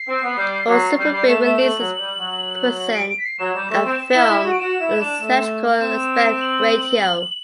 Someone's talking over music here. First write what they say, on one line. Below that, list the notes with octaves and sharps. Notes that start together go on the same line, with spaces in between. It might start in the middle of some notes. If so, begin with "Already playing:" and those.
All Superbit releases present a film in its theatrical aspect ratio.
Already playing: C7
C4
B3
G3
F#3
G3 C7
G3 C7
A3 E7
A3 E7
A3 F#7
F#3
G3
F#3
F#7
D7
D7
B6
C7
F#3 E7
G3
A3
C4
E4
E4
F#4
D7
F#4 E7
E4
D4
A3
C4 E7
F#7